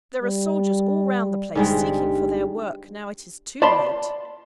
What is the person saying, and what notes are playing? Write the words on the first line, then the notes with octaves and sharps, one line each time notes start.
There are soldiers all round the place, seeking for their work now it is too late.
G3
G1 G#2 G3 G#3
D5 A5 B5 C6